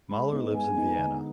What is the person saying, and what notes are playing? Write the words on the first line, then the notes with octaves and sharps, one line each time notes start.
Mahler lives in Vienna.
G#3 B5
B3 D#4
G#3 G#5
B3 D#4
D3